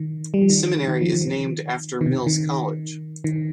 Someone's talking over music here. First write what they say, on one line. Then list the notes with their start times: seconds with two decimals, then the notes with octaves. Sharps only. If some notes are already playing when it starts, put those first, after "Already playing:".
Seminary is named after Mills College.
Already playing: D#3
0.34 G3
0.42 F3
0.50 D#3
0.88 D#3
1.01 F3
1.13 D#3
1.21 F3
1.28 D#3
2.01 D#3
2.06 C3
2.27 D#3
3.24 D#3